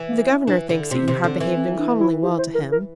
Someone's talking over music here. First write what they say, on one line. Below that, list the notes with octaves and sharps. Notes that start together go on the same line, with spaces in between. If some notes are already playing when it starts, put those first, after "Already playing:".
"The governor thinks that you have behaved uncommonly well to him."
Already playing: E3
A#3
C4
E3 D4
D3
C3 C4
C3
D3
E3
C4
D4
E4
G4
C5
A#4
A#4